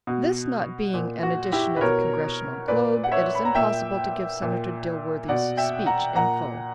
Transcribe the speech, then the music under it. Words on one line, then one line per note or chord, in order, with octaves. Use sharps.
This not being an edition of the Congressional Globe it is impossible to give Senator Dilworthy's speech in full.
B2
A#2
F#4
E4 G4
B4
B2 A#4 C#5
A#2 B4 D5
F#5
C#5 E5
B5
A#5
A#2 E5 G5
A#2
B2 D5 F#5
E5 G5
F#5 A#5
A#2 F#5 A#5